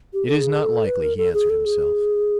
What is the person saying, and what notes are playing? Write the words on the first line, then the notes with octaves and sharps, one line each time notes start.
"It is not likely," he answered himself.
G4
A4
G#4
A4
B4
A#4
A4
G#4
A4
G#4